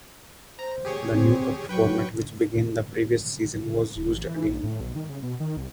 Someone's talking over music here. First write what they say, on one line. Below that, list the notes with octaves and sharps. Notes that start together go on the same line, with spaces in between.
The new cup format which began the previous season was used again.
C5 A#5
G4 G#4 C#5
C4
F#3 B4 G5 C#6
D#1
A1
E3
A#1
A2
B1
D#3
C#3
B2
D#3
C2